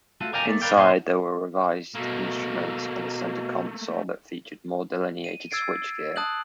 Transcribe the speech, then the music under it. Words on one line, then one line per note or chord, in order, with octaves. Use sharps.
Inside, there were revised instruments and a centre console that featured more delineated switchgear.
A3 F4 F#4 A4
A#4 D5 F5 G5 G#5 A#5
A3 A#3 D5
A#4 B4 D5 F5 G5
A#2 E4 C5 D#5 C6
B2 A3 A#3
D#7
E6 G#6 A6 C7 D7
A5 D#6 F#6 G6 F#7